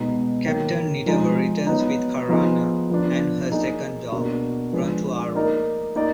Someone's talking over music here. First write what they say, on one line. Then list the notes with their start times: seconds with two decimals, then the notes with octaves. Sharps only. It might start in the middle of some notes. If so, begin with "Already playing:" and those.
Captain Nidever returns with Karana and her second dog, Rontu-Aru.
Already playing: B2 G#3 B3 D#4
0.45 D#3 F#3 A#3
1.06 F3 G#3 D#4 G#4
1.67 F#3 B3 D#4
2.29 F3 B3 D#4 G#4
2.90 F3 B3 D4
3.51 F#3 A#3 D#4 G#4
4.12 B2 A#3 D4 F#4
4.73 F3 G#3 D4 G#4 B4
5.35 A#3 D#4 A#4 D5
5.96 A#3 D#4 A#4 D5